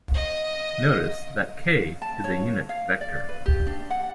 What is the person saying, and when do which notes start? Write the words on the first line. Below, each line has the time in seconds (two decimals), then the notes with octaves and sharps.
Notice that k is a unit vector.
0.14 D#5
2.02 A5
2.24 C#5
2.69 F5
3.01 D5
3.29 B4
3.46 G4
3.67 D4
3.90 F#5